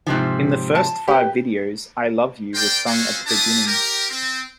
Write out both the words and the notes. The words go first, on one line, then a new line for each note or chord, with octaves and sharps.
In the first five videos, "I Love You" was sung at the beginning.
G#2 C3 F3
A5
G4 B4
A#4 C5 D5 G5
C4 C#4 F4 F#4 G#4 C5
D4 E4 G4 A5 D#6
G4 A#4
C4